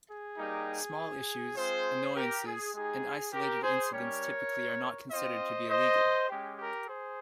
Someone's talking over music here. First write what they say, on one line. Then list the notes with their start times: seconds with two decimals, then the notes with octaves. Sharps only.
Small issues, annoyances, and isolated incidents typically are not considered to be illegal.
0.09 G#4
0.38 G3 A#3 D#4 G4
1.56 G#3 C4 F4 G#4 C5
2.15 G4 A#4
2.45 G#4
2.74 G#3 D#4 G4 G#4
3.33 G4 A#4
3.62 G#4 C5
3.92 G3 C#4 G4 A#4 C#5
5.10 C4 F4 C5 D#5
5.69 C5 D#5
6.29 G#3 C#4 G4
6.57 G4 A#4
6.87 G#4 C5